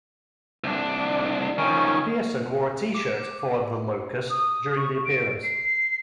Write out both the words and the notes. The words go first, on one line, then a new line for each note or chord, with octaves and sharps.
Pearson wore a T-shirt for The Locust during the appearance.
C2 D4
D#3 F3 C#4
D6
D#6
C#6
D7
C7